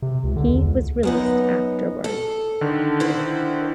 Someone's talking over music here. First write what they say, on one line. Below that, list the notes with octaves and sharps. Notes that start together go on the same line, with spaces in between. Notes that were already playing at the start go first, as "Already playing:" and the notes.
He was released afterwards.
C3
C#2
D3
E2
C#2
F#2 B3 D#4
A4
D3 D#3
E4 C5